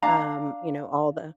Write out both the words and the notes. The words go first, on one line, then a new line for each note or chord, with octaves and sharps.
um, you know, all the
D4 F5 A#5